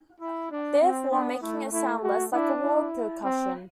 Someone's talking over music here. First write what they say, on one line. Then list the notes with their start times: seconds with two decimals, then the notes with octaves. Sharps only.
Therefore, making it sound less like a wall percussion.
0.21 E4
0.52 D4
0.82 C4
1.12 B3 D4
1.42 A3 E4
1.73 A3 E4
2.04 F#4
2.33 D4 E4
2.64 E4
3.25 C4